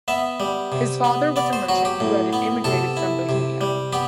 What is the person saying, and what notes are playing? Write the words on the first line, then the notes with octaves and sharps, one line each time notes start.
His father was a merchant who had emigrated from Bohemia.
B3 E5
G3
C3
B3
B3 D5
C5
F#3 F#4
G4
A2
B3
C3 A4
E4
C3
G3
B3 G4